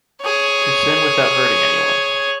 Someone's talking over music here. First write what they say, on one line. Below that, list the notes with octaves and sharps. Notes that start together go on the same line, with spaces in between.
To sin without hurting anyone.
G#4 C#5